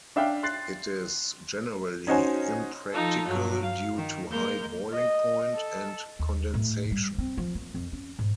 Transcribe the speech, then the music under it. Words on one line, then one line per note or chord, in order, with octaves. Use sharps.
It is generally impractical due to high boiling point and condensation.
D4 E5 F5 G5
C6 F#6 A6 C7
C#4 D#4 F#4 C5 G#5
F3 D#4 F4 A4
G2 F#3
F5
D#3
G#3 A#3 A#4 G6
D#5
A4
D#2
A2
G3
C4
F3
A#3
F2
C#4
G#2